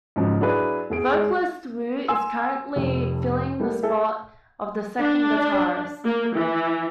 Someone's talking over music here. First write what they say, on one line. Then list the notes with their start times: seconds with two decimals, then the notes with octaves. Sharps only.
Vocalist Wu is currently filling the spot of the second guitarist.
0.16 G#2 C#3 F3 F#3
0.41 F#3 D4 E4 G#4 B4
0.90 E2 G#4 D7
1.13 G#3
2.08 G#5 C6 E6
2.76 F1 F2
3.60 G3 A3 A#3
3.83 G#4 A4 E5
5.03 D4
6.04 A#3
6.36 E3